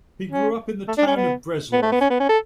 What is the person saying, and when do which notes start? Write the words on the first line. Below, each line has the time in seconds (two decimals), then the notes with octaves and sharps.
He grew up in the town of Breslov.
0.31 C#4
0.88 A3
0.98 D4
1.07 C#4
1.16 B3
1.73 B3
1.82 A3
1.92 B3
2.01 C#4
2.10 B3
2.20 C#4
2.29 A4